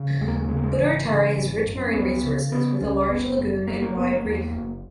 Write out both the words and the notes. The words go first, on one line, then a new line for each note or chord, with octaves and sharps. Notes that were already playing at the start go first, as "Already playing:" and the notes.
Butaritari has rich marine resources, with a large lagoon and wide reef.
Already playing: C#3
D#2 G#3
A#3
G#3
A#3
C#3 G#3
A#3
G#3
G#1 E3
C#3
G#1
F#2
C#4
C#2 B3
C#3
C#3 B3
C#2 C#4
F#1 B3
F#2
F#1 A#3
A#3
F#1 B3
A#3
E2 A#3
F#1